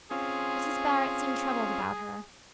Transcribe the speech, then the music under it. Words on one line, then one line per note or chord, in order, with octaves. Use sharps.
Mrs. Barrett seemed troubled about her.
C4 C#4 F4 G#4